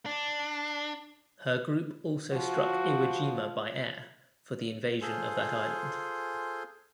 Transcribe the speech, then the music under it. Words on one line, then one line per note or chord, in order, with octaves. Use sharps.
Her group also struck Iwo Jima by air for the invasion of that island.
D4
F3 F#4
F4 G#4 A4 C5 G#5 C6